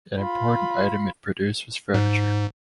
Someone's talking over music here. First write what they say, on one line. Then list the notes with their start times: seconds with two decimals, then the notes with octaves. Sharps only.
An important item it produced was furniture.
0.19 F4 B5
1.94 G#2